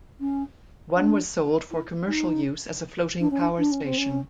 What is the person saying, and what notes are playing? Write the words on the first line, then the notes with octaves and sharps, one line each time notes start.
One was sold for commercial use as a floating power station.
C#4
D4
E4
D#4
D4
C#4
D4
D4
C#4
C4
C#4